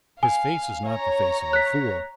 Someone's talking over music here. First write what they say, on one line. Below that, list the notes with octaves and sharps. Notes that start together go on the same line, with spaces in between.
His face is not the face of a fool.
F5 G#5
C#5 A#5
F#6 B6